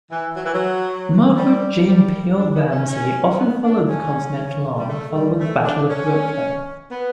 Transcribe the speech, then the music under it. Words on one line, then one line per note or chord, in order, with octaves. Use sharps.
Margaret Jane Peale Ramsey often followed the Continental Army following the Battle of Brooklyn.
E3
F#3
E3
F#3
G3
G3
D4
B3
C#4
C#4
B3
D4
C#4
G3
A3
G3
A3
D4
C#4
B3